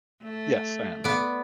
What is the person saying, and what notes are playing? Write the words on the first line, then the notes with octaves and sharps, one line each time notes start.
Yes, I am.
A3
B3 D5